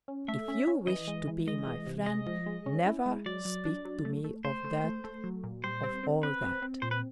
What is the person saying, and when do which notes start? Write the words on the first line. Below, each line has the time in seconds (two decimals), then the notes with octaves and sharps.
If you wish to be my friend never speak to me of that... of all that!
0.08 C#4
0.28 A3 E5
0.48 C#4
0.67 C#4
0.87 E3 D#5
1.07 G#3
1.28 E3
1.47 G#3 D#5
1.67 E3
1.87 C3
2.06 G#3 D#5
2.26 F3
2.46 G#3
2.66 C#4
2.86 E4
3.06 G#3
3.26 F#3 D5
3.45 F#3
3.65 D4
3.85 F#3
4.05 A3
4.24 A3
4.45 A3 C5
4.64 A3
4.84 A3
5.04 A3
5.24 F#3
5.44 A#2
5.64 G3 C5
5.83 C4
6.03 C4
6.23 C4 B4
6.42 C4
6.62 C4
6.82 A#2 C5
6.91 B4